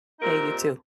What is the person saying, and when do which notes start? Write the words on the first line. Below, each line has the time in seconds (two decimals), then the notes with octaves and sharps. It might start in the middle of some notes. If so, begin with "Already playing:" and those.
Hey, you too.
0.19 A#2 G3 C4 D#4 A#4